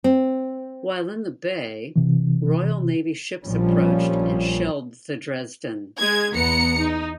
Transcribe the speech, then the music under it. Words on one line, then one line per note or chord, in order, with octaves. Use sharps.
While in the bay, Royal Navy ships approached and shelled the "Dresden".
C4
C3 E3
A#1 A#2 F3 G3 C#4
G#3 G#6
E2 B3 A#5 C#7
D#4